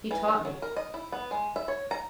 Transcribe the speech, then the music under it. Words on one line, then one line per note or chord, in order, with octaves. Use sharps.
He taught me.
E3
D#4
F#3
A#4
D#5
E4
B3
G#3
E5
C#5
A#5